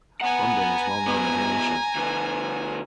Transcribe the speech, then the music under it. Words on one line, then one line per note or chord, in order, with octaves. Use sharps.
London is well known in her nation.
B3 F#5 G#5 A#5
G#2 B3
D2 B3